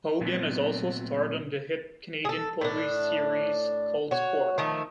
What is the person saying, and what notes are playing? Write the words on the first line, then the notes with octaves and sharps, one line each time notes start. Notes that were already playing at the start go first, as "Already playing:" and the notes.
Hogan has also starred on the hit Canadian police series "Cold Squad".
A#2 F#3 A3 B3 C4
G#4 A4
A2 D4
F#4 C#5
D#3 F3 A3